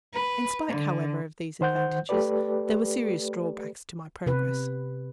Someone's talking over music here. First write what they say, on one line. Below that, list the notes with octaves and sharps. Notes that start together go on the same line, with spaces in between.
In spite, however, of these advantages, there were serious drawbacks to my progress.
B4
D3
D#3 C5 F#5 G6
A3 G4 A4 B4 D5
C3 B4